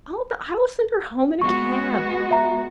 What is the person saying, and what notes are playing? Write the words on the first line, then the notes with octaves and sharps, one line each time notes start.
'Oh, but I will send her home in a cab.
G#3 B3 F#4 C#6
E5 A#5